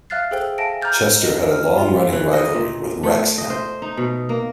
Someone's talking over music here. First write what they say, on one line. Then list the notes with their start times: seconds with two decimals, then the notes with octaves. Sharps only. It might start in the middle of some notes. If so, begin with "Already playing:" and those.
Chester had a long-running rivalry with Wrexham.
0.10 E5 F5 F6 F#6 A6 C7
0.31 G#4 A4 C5 G5 F#6
0.58 E5 F5 G#5 A5 A#6 D7
0.82 A#5 D6 F6 G6 A6
1.21 D#5 A#6
1.51 F6
1.77 F4
2.13 E3
2.33 D#5
2.54 A#2
3.03 A3
3.38 D#5
3.50 C5
3.82 D#4
3.97 B2
4.29 A#3